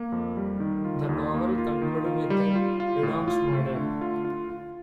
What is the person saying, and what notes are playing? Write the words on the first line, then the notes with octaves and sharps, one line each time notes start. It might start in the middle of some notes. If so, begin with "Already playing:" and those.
The novel concluded with Udomo's murder.
Already playing: A#3
F2
G3
D#3
F4
D#2
A#3
F4
D#3
F4
G3
F4
F4
A2
F4
A3
D3
F4
F4
F4